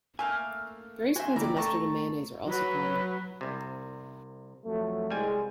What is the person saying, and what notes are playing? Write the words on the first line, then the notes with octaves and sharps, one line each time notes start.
Various kinds of mustard and mayonnaise are also common.
A3 A#3 F5 G#5
F#4 G#4 C5 E5 G#5
D3 A#3 E4 G4 D5 A#5
A3 A4 A5 A#5 C#6
F#3 B4
C2 C3
F2 F#3 A3
C2 G3 G#3 G#5